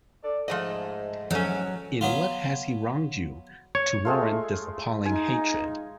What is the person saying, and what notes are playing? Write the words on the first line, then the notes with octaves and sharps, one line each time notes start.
In what has he wronged you, to warrant this appalling hatred?
D4 A4 D5
G#2 F3 A3 D#5
F3 F#3 A3 C#4 A4
F#3 B3 F4
C#5
G#3 A3 F4
D#4 G#5